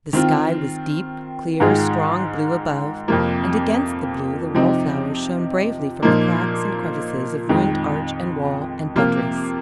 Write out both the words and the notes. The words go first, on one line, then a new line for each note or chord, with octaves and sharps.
The sky was deep, clear, strong blue above, and against the blue, the wallflowers shone bravely from the cracks and crevices of ruined arch and wall and buttress.
D#3 C4 F4
G#2 D#3 G#3 F4 G#4
F2 C3 F3 A#3 F4
C3 F3 C4 D#4
A#2 F3 A#3 D#4
F2 D#3 G#3
C3 F3 A#3 F4